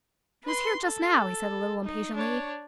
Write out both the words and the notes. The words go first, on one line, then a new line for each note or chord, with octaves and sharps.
"She was here just now," he said a little impatiently.
B4 C6
A4
D#4
D4 C#5